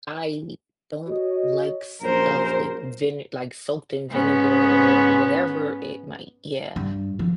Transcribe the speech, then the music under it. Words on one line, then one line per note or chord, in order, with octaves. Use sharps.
I don't like stuff with vine like soaked in vinegar or whatever it might yeah.
F#4 C#5 D#5
A#1 F#2 A#4 C5
G#2 B3 C#4
G2
F3